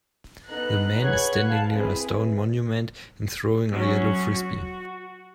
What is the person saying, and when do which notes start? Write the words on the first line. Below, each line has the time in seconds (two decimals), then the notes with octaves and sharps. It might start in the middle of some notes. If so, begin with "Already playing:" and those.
The man is standing near a stone monument and throwing a yellow Frisbee.
0.48 B3 D#4 A4 A#5 F#6
0.98 G#4 B4 C#5 F#5 F#6 G#6
1.46 F5 A5
1.75 C4 E4 G#4 B4
3.71 F#3 C#4
4.36 F#4